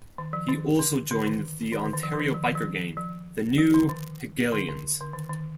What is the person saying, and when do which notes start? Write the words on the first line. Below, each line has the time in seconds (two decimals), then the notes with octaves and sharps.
He also joined the Ontario biker gang The New Hegelians.
0.18 D#3
0.33 F3
0.49 D#3
0.79 D3
1.11 D3
1.26 D#3
1.72 D#3
1.84 D3
1.94 D#3
2.03 F3
2.14 D3
2.19 D#3
2.34 F3
2.45 D#3
2.56 F3
2.97 F3
3.58 F3
3.74 D3
3.89 D#3
4.52 D3
4.69 D3
5.00 D3
5.13 D#3
5.29 D#3